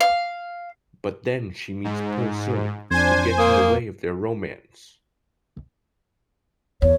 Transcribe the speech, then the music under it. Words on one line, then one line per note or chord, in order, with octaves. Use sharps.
But then she meets Pil-seung, who gets in the way of their romance.
F5
G#2
F2 D4 C5 G#5 G#6
A#3 D#6
E2 C#5